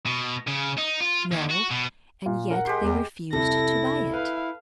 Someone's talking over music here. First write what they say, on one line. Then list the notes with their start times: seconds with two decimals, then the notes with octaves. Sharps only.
"No; and yet they refused to buy it."
0.06 B2
0.48 C#3
0.78 D#4
1.01 F4
1.32 D#2
1.51 F#4
1.71 B2
2.26 A#2
2.50 A#4 F#5
2.65 G#3 G4 C6
2.82 E2
3.33 F1 C2 C3 E4 A4 A#6
4.14 B4 F5